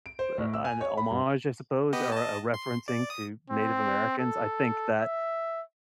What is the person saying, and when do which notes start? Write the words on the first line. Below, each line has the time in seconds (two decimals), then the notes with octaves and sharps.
uh, an homage, I suppose, or a referencing to Native Americans. I think that
0.06 D7
0.19 C5
0.38 A2
0.53 E6
0.65 G#5
0.81 C#5
0.97 B5
1.11 G2
1.93 B3 G4 D#5
2.12 D#5 A5
2.54 C6
2.88 D5
3.10 D#6
3.50 C4
4.19 A4
4.99 E5